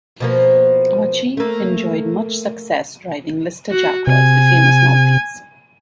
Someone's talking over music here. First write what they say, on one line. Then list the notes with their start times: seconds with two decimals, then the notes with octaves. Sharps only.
Archie enjoyed much success driving Lister-Jaguars - the famous "Knobblys".
0.20 B2 F3 A#3
1.37 A3 A#3
3.71 F#4
4.07 C3 G#5